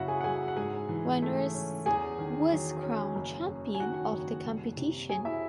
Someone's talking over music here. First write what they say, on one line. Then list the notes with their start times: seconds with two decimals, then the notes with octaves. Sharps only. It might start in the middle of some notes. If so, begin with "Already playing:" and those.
Wanderers was crowned champion of the competition.
Already playing: F#1 F#2 C#3 E4 F#4 E5 F#5
0.08 G#4 G#5
0.21 F#5
0.24 F#3 G#4 G#5
0.48 F#5
0.56 G#2 G#4 G#5
0.89 E3
1.22 A3
1.55 C#4
1.86 E2 G#4 G#5
2.18 D#3
2.51 F#3
2.83 C#4
3.15 F#1
3.48 F#2
3.75 G#5
3.80 D#3 F#4 F#5
4.12 F#1
4.45 C2
4.77 C3
5.09 F#3 G#4 G#5
5.25 E4 E5